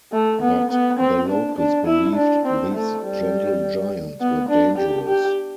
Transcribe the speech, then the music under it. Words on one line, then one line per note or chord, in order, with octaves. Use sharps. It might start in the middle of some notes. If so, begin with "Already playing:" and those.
But the locals believed these gentle giants were dangerous.
A3
B3
B3
C4
D4
D4
E4
D4
C4
A3
G3
B3
D4
G4
G4